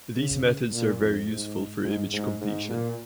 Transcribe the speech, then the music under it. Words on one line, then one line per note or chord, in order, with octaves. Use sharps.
These methods are very useful for image completion.
C#3
A#2
F2
G#2
G#2
G#2
G#2
A#2